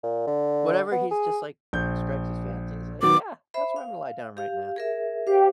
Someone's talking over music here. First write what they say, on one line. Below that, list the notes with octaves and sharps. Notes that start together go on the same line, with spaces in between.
whatever he's just, like, strikes his fancy, he's, like, "Yeah, that's where I'm gonna lie down right now."
A#2
D3
B3
G#4
A#1 G6
D#3 F#3 B3 D6
C5 E5 B5
F5
G4 F5
G#4 A#4 E5
G4 C5 F5